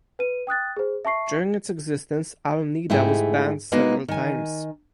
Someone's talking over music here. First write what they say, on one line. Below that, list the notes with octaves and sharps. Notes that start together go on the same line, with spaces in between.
During its existence "Al Nida" was banned several times.
B4 D#7
G5 D#6 F#6 A6
G#4 C5
E5 A5 C#6 C7
G#2 A3 E4 G4 G#4
G#3 A#3 B3 D#4 F#4
D#3 G#5